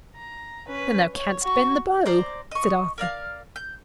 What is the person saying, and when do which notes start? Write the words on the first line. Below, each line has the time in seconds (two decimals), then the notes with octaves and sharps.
"Then thou canst bend the bow?" said Arthur.
0.16 A#5
0.68 C#4 B4
1.14 C#5
1.43 F#4 C#6
2.06 C5 D5 A#5
2.51 D#5 C#6
2.98 A#4 D5 F5
3.56 G6